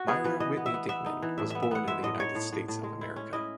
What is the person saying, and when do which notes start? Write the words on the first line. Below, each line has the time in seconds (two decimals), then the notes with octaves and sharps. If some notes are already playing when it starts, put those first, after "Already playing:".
Myra Whitney Dickman was born in the United States of America.
Already playing: F#4
0.08 B3 G#4
0.24 E3 B4
0.40 E3 D#5
0.57 B3
0.66 E5
0.74 B3
0.89 B3 E5
1.06 D#4
1.22 E3
1.38 A2 E5
1.50 B3 E5
1.62 E5
1.71 B3 F#5
1.88 G#3 E5
2.03 A2 D#5
2.19 D#4 C#5
2.35 A2
2.53 A2
2.68 A2
2.84 G#3
3.01 E4
3.16 C#4
3.33 E4 D#5